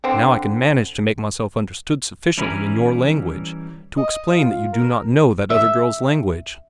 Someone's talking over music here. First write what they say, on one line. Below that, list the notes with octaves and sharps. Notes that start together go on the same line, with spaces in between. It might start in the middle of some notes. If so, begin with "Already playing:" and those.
Now I can manage to make myself understood sufficiently in your language to explain that you do not know that other girl's language.
D3 C4
E3 G3 C#4 A#4 B5
D#5
F4
F4
A#4
E5